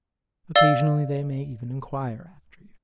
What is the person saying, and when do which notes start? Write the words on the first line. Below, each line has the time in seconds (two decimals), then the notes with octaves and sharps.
Occasionally they may even inquire after you.
0.55 D5 F5 E6 A6 G7